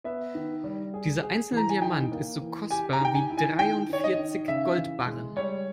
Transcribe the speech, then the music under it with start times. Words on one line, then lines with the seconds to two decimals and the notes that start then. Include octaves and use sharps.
Dieser einzelne Diamant ist so kostbar wie dreiundvierzig Goldbarren.
0.04 B3 E5
0.35 D#3
0.64 G3
0.94 G#4
1.23 G#4
1.52 E3
1.57 A#5
1.69 G#5
1.82 D#4 G5
2.12 A#3
2.41 E3
2.70 G4 G#5
2.93 A#5
3.01 D#3 G5
3.15 G#5
3.30 E4
3.37 G#5
3.59 D#3 G5
3.89 D#3 C#5
4.04 D#5
4.19 D#3
4.48 C#3 E5
4.77 E3
5.07 G#3
5.36 G3 C#5